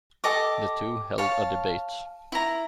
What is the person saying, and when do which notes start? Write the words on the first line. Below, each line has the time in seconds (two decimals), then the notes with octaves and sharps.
The two held a debate.
0.24 G4 A4 D#5 D6
1.18 C#5 F5 A5
2.32 E4 A#5